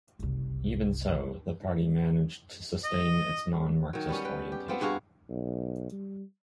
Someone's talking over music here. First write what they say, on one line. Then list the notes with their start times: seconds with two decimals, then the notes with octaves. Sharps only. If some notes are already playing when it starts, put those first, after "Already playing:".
Even so, the party managed to sustain its non-Marxist orientation.
0.19 F#1 C2
2.84 D#5
3.93 D#3 F#3
4.09 G3 B3 C#4
4.25 B4 G5
4.52 G4
4.68 B3 C4 F4
4.81 G2 F#4 G#4 F5
5.29 B1
5.92 G3